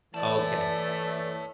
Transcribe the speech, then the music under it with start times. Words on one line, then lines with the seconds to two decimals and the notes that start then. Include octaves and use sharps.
oh okay.
0.14 E3 A3 C#5 D5 A5